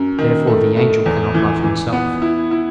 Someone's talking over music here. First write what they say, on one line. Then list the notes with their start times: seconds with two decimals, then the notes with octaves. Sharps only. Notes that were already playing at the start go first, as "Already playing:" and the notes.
Therefore the angel cannot love himself.
Already playing: F#2
0.18 D#3
0.47 A3
0.76 A3
1.06 E2
1.34 E3
1.63 E3
1.93 B3
2.22 E4
2.51 E4